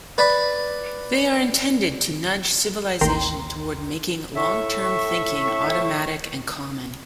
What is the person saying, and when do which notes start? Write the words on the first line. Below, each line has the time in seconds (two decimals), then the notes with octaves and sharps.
They are intended to "nudge civilization toward making long-term thinking automatic and common".
0.18 B4 D5 B5
3.01 A1 D#2 D#3 G5 A#5 C6
4.37 A2 E5 C#6